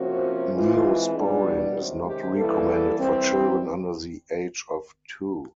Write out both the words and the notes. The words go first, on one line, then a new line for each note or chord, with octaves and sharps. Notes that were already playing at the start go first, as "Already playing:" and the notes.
Neosporin is not recommended for children under the age of two.
Already playing: C3 F3 A#3 C#4 F#4
E3 G#3 C4 F4
B2 G3 B3 D4 F4
F#4
C3 D#3 G#3 C#4
G4
E3 G3 A#3 A4
E3 G3 C4